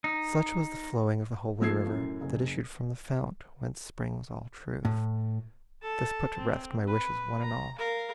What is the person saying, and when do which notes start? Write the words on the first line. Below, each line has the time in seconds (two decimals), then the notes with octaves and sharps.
Such was the flowing of the holy river That issued from the fount whence springs all truth; This put to rest my wishes one and all.
0.04 D#4
1.60 F3 A3 E6 G#6 C7
1.87 F#2 A2
2.21 F#1
4.85 A2
5.82 A4 A5
6.37 C4
6.87 B4
7.41 A#5
7.78 A#4 F5